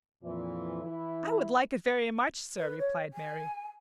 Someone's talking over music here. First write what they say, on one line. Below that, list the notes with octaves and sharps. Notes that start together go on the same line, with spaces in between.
"I would like it very much, sir," replied Mary.
F2 A#2 E3
E3 E4
B4
C#5
G#5